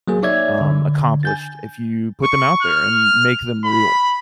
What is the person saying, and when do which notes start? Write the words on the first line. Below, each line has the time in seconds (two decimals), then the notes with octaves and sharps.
um, accomplished if you put them out there and m make them real.
0.08 F#3 A#3 G#4
0.23 D#4 C#5 D5 E5 G#6
0.61 D3
1.23 G#5 G6 A6
2.23 C#6
2.63 F6
3.65 B5